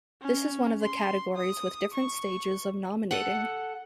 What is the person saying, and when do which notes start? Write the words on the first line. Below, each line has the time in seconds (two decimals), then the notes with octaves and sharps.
This is one of the categories with different stages of nominating.
0.22 C#4
0.81 C6
1.37 D#6
1.94 C#6
3.11 A4 F#5